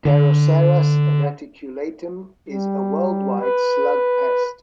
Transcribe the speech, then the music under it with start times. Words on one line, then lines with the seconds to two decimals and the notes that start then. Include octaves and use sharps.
"Deroceras reticulatum" is a worldwide slug pest.
0.05 D3
2.48 G3
3.40 B4